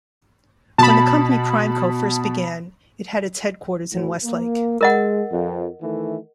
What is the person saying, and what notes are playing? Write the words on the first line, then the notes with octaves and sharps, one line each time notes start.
When the company PrimeCo first began, it had its headquarters in Westlake.
B2 A5 B5
A2 F#3
A#3
G#3 A#4 D#5 F#5
F2
D#3 E3 A3